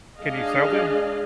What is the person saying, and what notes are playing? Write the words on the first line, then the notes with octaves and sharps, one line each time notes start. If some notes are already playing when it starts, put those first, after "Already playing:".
Can you sell them?
G#3 D4 G#4 D#5 F5